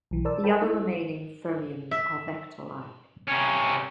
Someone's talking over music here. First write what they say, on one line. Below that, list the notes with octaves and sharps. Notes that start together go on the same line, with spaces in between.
The other remaining fermions are vectorlike.
B1 E3
A#4 C5 D5 A5 E6
C5 G5 A5 B5
D#4 E4
E5
C3 C#4